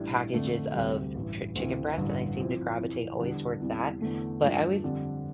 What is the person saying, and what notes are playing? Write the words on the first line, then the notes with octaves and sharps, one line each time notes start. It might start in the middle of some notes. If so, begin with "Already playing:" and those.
packages of chi chicken breast, and I seem to gravitate always towards that, but I always
Already playing: A1 A2 G3 D4
F2 D3 A3 D4
D2 C3 G3
A1 G2 E3
D2 C3 E3
A1 G2 D3
A2 F3 C4 E4
F2 C3 E3
E2 D3 G3 B3 D4
E2 C3 E3 G3
E2 D3 A3
G2 F3 A3 D4
F2 D3 G3